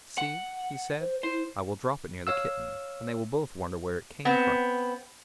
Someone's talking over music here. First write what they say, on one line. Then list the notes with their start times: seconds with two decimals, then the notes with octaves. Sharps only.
'See!' he said, 'I will drop it near the kitten, and they will both wonder where it came from.'
0.18 F#5
1.00 C5
1.23 E4 C5
2.27 C#5 F5 E6
4.25 B3 C4